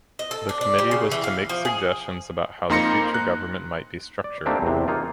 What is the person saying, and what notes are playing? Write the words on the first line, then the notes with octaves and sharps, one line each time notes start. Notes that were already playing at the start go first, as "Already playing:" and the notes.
The committee was to make suggestions about how the future government might be structured.
D#5
A4
D4
D4
G3
C#3
E3
F5
F3
G#4
F2 A#3 D#4 C6 A#6 C#7
F#6
D5
A3 A#3 C4 D4 D#4 G4
E2 C3
A#3 D#4 F4